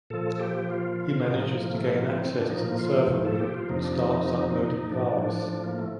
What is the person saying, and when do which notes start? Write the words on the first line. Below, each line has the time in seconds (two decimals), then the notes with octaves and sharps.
He manages to gain access to the server room and starts uploading the virus.
0.10 A#2 F3 A4
0.40 G4
0.70 F4
1.00 F4
1.29 A2 F3 D#4
1.60 A#3
1.74 A3
1.89 A#3
2.04 C4
2.20 C4
2.35 D4
2.50 A#2 F3 D#4
2.65 A#3
2.79 F4
3.25 A4
3.39 G4
3.54 F4
3.69 F2 C3 F3 D#4
3.82 D4
3.93 D#4
4.90 A2 F3 D4
5.19 D4
5.49 D4
5.64 A#3
5.79 A3